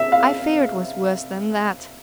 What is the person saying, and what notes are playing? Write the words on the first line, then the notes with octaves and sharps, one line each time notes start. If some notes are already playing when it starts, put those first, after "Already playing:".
I fear it was worse than that.'
Already playing: C3 E5
F5